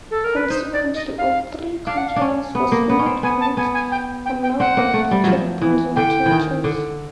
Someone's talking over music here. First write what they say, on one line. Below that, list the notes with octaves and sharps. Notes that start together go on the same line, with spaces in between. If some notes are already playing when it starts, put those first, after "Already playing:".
Consequently, all three councillors for Smith's Wood are now Green Party representatives.
A4
A#4
B4
D#4 C5
D5
D#5
F5
D4 F5
F#5
F5
C#4 D4
B3
A#3
B3
C#4
C4
B3 G#5
A5
B3 G#5
G#5
G5
G5
G5
C4 F#5
A#3
A3
G3
F3 F#3
E3
D3 G5
E3
D#3
D3